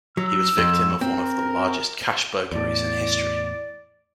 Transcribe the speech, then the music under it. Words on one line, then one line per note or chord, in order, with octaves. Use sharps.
He was victim of one of the largest cash burglaries in history.
F#3 E6
F2
C4 A#4
E2 A2 D5